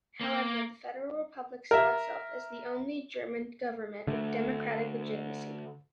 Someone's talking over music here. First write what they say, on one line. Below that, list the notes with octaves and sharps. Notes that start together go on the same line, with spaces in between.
However, the Federal Republic saw itself as the only German government with democratic legitimacy.
A#3
A#4 E5
D3 A3